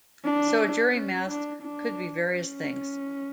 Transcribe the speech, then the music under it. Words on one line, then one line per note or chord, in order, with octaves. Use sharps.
So a jury mast could be various things.
D4
C#4
D4
D4
C#4